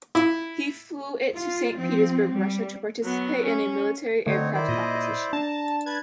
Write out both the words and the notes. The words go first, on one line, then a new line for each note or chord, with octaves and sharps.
He flew it to Saint Petersburg, Russia to participate in a military aircraft competition.
E4
F4
F3 C4
G3
F#3 B3
C#4
D3 A3 C4 D#4 C#5
D#3 E4 C5 D5
A#2 D#5
D4 A5 A#5
B4 A5 F#6 G#6